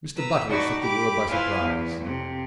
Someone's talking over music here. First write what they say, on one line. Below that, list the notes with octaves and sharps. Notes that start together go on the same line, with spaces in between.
Mr. Butteridge took the world by surprise.
B4 A#5 E6
D#4 F#4 D5 A5 B5 C#6
G4 B5 D6
E4 F4 B4 C5 F5 G#5
E2 E4
F2 C3